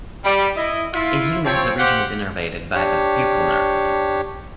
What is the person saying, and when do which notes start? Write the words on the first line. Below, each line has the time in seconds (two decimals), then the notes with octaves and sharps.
In humans, the region is innervated by the buccal nerve.
0.24 G3
0.56 E4 D#5
0.93 E4 F4
1.44 F3 C4 C#5
1.78 G4 C5 F5 F#5
2.74 D4 G4 C#5